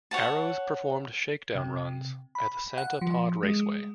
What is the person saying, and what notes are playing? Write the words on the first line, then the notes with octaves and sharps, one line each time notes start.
Arrows performed shakedown runs at the Santa Pod Raceway.
C#5 F#5 A5
C3
B5
F#5
F3
G#3